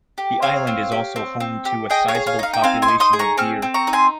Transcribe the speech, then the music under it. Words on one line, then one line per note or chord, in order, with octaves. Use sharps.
The Island is also home to a sizable population of deer.
G4
C4 C#5 F5
C4
G4
C4
C4
G4
G#4 D#5 G5
C#5 F5
G#4
C#5 F5
D#4 F5
G5
C4 F5 G#5
G#5 C6
D#4
C6 D#6
G#4
A#5 C#6
C4 C#6 F6
C4
A#5 C#6
D#4
G#5 C6